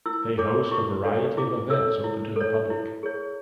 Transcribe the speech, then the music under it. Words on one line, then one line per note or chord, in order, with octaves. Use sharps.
They host a variety of events open to the public.
E4 E6
A4 C#5 D6
D6
E4 C#6
A4 C#5
E4 D6
A4 C#5 E6
E4
A4 C#5
E4
G#4 C#5